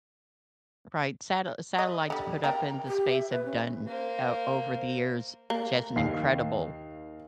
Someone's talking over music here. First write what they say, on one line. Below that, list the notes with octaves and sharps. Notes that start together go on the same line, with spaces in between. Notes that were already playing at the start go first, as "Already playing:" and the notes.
Right. Sate Satellites put up in the space have done o over the years just an incredible
D#5
D3 G3
A#3 A#4 G5
G4
E5
B4
C#4
A#3 C5
A#3
D#2 F5 C7